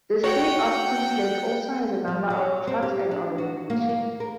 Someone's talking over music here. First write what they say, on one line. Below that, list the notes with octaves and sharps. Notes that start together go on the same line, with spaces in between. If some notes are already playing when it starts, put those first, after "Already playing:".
The state of Queensland also has a number of clubs and organisations.
F#4 C#5 F#5 G5
G3
F#3
C4
G4
D4
F#4
A#3
A#3
A#4